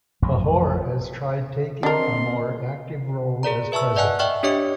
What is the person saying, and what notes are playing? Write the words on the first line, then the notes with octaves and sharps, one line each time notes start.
Pahor has tried taking a more active role as president.
A1 F2 F#3
C4 D4 A#4 D#5 C6
G#4 A#4 D5 A#5
B4 E5 A5 C#6 E6
D5 D#5 F#5 G#5 A5 F#6
D5 E5 G5 C#6 F6
D4 G4 C#5 D#5 D6 C#7